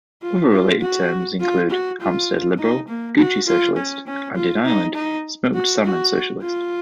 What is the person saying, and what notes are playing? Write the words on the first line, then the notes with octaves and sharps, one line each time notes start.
Other related terms include "Hampstead liberal, Gucci socialist", and in Ireland "smoked salmon socialist".
F4
F4
F#4
F4
F#4
F4
D#4
A#3
F#4
F4
C#4
C#4
F4
D#4
D#4
F#4
F#4
F4